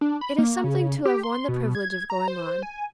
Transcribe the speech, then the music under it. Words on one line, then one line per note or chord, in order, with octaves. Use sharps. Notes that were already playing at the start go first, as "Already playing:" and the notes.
It is something to have won the privilege of going on.
D4
B5
A#3
C#3
G4
C6
B2
G#6
A#5
C5
G#5